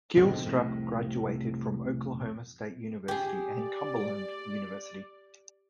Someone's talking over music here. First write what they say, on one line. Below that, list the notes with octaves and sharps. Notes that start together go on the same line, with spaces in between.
Gilstrap graduated from Oklahoma State University and Cumberland University.
B2 D3 F3 G#3 C4
C2 F2 A2 C3
G4 G#4
D5